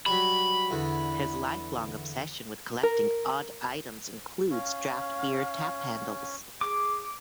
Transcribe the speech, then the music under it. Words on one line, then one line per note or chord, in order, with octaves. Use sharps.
His lifelong obsession with collecting odd items includes draft beer tap handles.
F#3 G3 B5
E2 D3
A#4
C#4 F5
G#4 D6